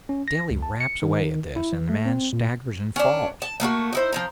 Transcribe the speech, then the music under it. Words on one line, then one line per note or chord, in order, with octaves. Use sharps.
Daly raps away at this, and the man staggers and falls.
C#4
A#6
C#2
A5
C#7
D#3
E4
E3
A3
C4
A#2
C#4 D4
A5
A3 A#3 F4 F#4
D#4 E4 C5
F3 C4 A#5